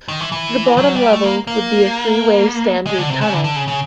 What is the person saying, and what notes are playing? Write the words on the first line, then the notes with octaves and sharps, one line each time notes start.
The bottom level would be a freeway standard tunnel.
D#3
E3
E3
F#3
G3
A3
A#3
A#3
G#3
D3
C3
C#3
D3
D3
C#3
C#3